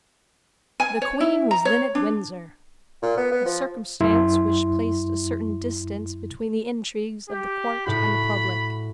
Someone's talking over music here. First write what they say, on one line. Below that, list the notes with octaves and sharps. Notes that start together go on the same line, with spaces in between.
The queen was then at Windsor--a circumstance which placed a certain distance between the intrigues of the court and the public.
G#5
C#5
E4
A#5
C#5
D4
A#2
B3
B3
F3
F#2 E4 C6
G4
A2 F#4 B5